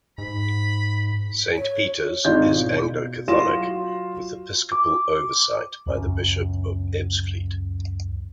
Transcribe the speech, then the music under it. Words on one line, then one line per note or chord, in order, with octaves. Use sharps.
Saint Peter's is Anglo-Catholic, with episcopal oversight by the Bishop of Ebbsfleet.
G#2 B5
C#5
G#1 G#3 D#4 F4 D#5 G6
B2
F#3 F4 C6 A#6 E7
D6
C#2 F#2 C#4